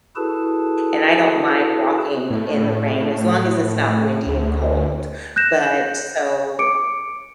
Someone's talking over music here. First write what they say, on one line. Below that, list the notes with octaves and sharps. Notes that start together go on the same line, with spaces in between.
and I don't mind walking in the rain as long as it's not windy and cold but So
E4 F#4 G#4 A4 B4 A5
A2
D2
F#6 G6 A#6 E7
D6 C#7 D7